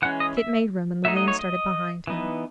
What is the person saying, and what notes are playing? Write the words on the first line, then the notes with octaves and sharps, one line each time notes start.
Tit made room, and Levin started behind him.
E3 G#3 C#4 F#5
D#5
E5
F#3 A3 D#4 E5
D#5
C#5
D#5
E3 B3 D#4